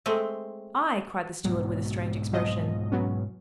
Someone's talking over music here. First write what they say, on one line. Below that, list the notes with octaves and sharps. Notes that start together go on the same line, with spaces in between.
"I," cried the steward with a strange expression.
G#3 A3 C4
G#2 B2 F#3
F3 F#3 D#5
F#3 B3 C#4